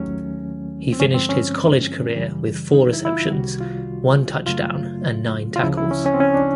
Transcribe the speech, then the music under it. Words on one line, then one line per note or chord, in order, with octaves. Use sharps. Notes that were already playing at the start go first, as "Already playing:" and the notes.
He finished his college career with four receptions, one touchdown and nine tackles.
Already playing: D#2 D#3 F#3 A3 C#4
C4
G2 D3 F3 G#3 C#4
C4
C#4
F#2 C#3 E3 G3
D#4
E4
E4
F4
C2 C3 D#3 G3 F#4
F4
F#2 C#3 F#3 A3 F4
F4
D2 C#3 F3 E4
E4
C#4
C#4
C4
C#4
D4